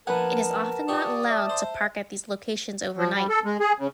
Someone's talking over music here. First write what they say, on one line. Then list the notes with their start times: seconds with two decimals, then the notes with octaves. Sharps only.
It is often not allowed to park at these locations overnight.
0.07 A#1 B3 A#4 B4 F#5 G#5 A5
0.88 A#2 G4 D5 C#6 D#6
1.30 E5 A5
1.49 C5
2.97 F3
3.14 G3
3.29 A4
3.45 G#3
3.60 G#4
3.79 C#3